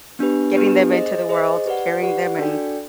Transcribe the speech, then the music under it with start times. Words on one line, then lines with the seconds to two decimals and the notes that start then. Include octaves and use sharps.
getting them into the world, carrying them and
0.19 B3 D4 G4 B4
0.56 B3 D4 G4 B4
0.92 G#4 C5 D#5
1.29 G#4 C5 D#5
1.66 G4 B4 D5 F#5
2.03 G4 B4 D5 F#5
2.39 D4 F#4 A4 D5 G5